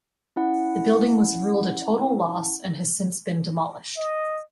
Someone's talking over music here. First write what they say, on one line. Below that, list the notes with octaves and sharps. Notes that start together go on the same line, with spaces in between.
The building was ruled a total loss and has since been demolished.
C#4 E4 F#5
D#5